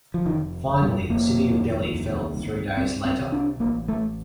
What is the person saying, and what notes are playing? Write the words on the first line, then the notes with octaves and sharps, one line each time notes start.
Finally, the city of Delhi fell three days later.
F3
F1 D#3
F1
G3
F1 A#3
D#2
C2
C2
C2 C4
C4
C3
D4
A1 A#3
A3